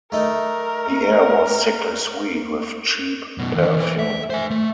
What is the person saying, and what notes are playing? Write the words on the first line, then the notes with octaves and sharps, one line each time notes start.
The air was sickly sweet with cheap perfume.
A3 D#4 A#4
F#2 B2
E2 D#3
E3 B4
E5
C5 G#5
A3